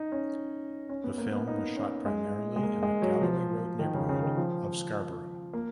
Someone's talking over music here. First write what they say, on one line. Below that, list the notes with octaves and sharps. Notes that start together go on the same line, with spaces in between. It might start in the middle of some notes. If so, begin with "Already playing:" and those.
The film was shot primarily in the Galloway Road neighbourhood of Scarborough.
Already playing: D#4
C#4
C#4
B3
A#3
B3
D#4
C#4
G#3
G#3
A#3
G#3
F#3
F3
D#3
C#3
C#3
D#3
F3
A#3